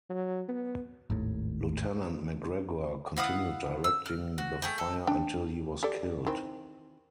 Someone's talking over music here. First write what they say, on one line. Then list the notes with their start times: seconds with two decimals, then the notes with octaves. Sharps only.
Lieutenant McGregor continued directing the fire until he was killed.
0.10 F#3
0.49 B3
1.10 G#1 D#2 A2
3.17 E4 F5 F#5 D#6
3.84 E6
4.06 F6
4.38 F#4
4.62 A3 G#4 G5
4.78 A4
5.07 D4 G5
5.83 G4 A4 D5
6.27 D#3 E3 C4